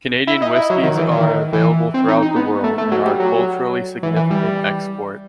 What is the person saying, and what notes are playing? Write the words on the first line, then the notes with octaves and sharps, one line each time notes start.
Canadian whiskies are available throughout the world and are a culturally significant export.
E4
D#4
E4
F#3
D#3
E3
D#3
E3
C4
D#4
D#4
B3
A3
A3
F#3
G3
F#3
E3
E3
G3